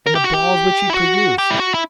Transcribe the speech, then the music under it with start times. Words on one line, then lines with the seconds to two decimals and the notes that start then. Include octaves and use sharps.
And the balls which he produced!
0.06 A#4
0.15 G4
0.24 F#4
0.33 G4
0.90 E4
0.94 F#4
1.38 G4
1.50 E4
1.60 F#4
1.74 E4